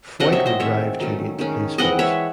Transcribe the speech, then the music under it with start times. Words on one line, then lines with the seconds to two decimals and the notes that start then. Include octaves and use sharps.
Foyt would drive to an eighth-place finish.
0.20 C3 F#3 C#4 D#5 F#5
0.32 C#5 E5
0.46 C5 D#5
0.59 D#3 G#3 C4 C#5 E5
0.99 D#3 F#3 A3 C#4
1.39 D#3 G#3 C#4
1.78 E3 G#3 C4 D#5 F#5
1.99 C#5 E5